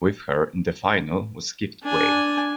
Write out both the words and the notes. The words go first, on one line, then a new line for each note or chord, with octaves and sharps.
With her in the final was Gift Gwe.
D4 G#5